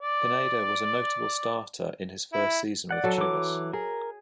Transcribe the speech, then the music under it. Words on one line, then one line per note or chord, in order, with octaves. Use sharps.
Pineda was a notable starter in his first season with Chivas.
D5
E4
D5 F#5
F#3 A4
E3 D6
G#4 A#4